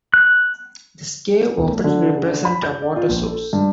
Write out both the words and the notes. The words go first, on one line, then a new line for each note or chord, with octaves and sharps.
This cave opening represents a water source.
F#6
E1
A3
D3
C#3
D3
B5
G6
D5
F4
A#1
A4
G2